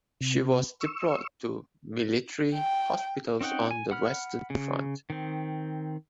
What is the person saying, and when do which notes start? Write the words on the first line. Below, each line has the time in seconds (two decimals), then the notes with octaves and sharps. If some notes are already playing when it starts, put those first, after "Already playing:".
She was deployed to military hospitals on the Western Front.
0.21 C3
0.80 C#6 E6
2.55 G5
3.41 C4 C#4 D#4 F#5 G5
3.71 G#5
3.91 F#5 B5 F6
4.50 C#3
5.10 D#3 C4